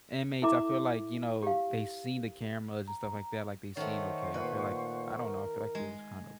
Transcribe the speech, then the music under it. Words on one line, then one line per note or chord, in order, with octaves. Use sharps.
inmates I feel like, you know, they've seen the cameras and stuff like that, like they seen okay I feel like I don't know, I feel like it was kind of
E4 A4 E5 A#5 D6
G4 F5
A#5
D#3 A3 C5 C#5 F#5 C#6
A#2 B4
A#4
G#3